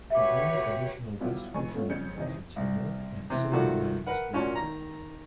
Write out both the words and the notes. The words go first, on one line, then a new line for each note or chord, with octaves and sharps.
He earned additional Best Picture nominations for "Milk" and "Silver Linings Playbook".
F#4 G4 B4 C#5 E5 D6
F#3 G3 B3 E4 F4 G4
F1 F2 A2 G#4 G#5 C#6
A3 B3 C#4 F4
F2 C#3 G3 G6 G#6 C#7
F#1 D#2 C3 E3 D#4 D#5
C2
C3 E3
C3 D#3 F3 G3 F#4 A4
A#4 B4 F#5
A#2 C#4 F#4 A5
D#3 A#5